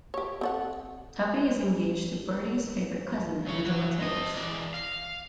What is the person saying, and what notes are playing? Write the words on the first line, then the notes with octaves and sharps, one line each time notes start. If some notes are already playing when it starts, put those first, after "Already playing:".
Tuppy is engaged to Bertie's favourite cousin, Angela Travers.
G4 C#5
C4 A4 F#5
C#3 C#5
F#3
C4 D#5
E3 G#3 D5
F5